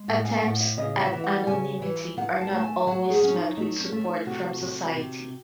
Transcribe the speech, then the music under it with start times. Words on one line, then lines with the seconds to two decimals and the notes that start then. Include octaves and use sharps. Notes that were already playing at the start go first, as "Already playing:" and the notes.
Attempts at anonymity are not always met with support from society.
Already playing: G#3
0.08 A2 F#5
0.25 G#5
0.43 A2 F#5
0.61 E5
0.77 C#3 D#5
1.01 E5
1.13 E3
1.24 F#5
1.47 C#3 G#5
1.82 E3
2.17 D#3 F#5
2.41 A5
2.53 A3
2.64 G#5
2.87 F#3 F#5
3.10 G#4
3.22 F#3 C#4
3.34 D#4
3.57 A3 D#4
3.81 C#4
3.92 A3
4.03 D#4
4.26 C3 F#4
4.62 C3
4.97 C3